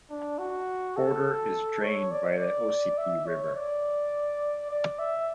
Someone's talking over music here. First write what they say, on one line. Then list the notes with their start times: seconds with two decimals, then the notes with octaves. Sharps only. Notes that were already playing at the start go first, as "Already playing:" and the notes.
Porter is drained by the Ossipee River.
0.10 D4
0.39 F#4
0.97 A4
1.83 C#5
2.11 D5
2.98 E5
3.27 C#5
3.56 D5
4.71 D5
4.99 E5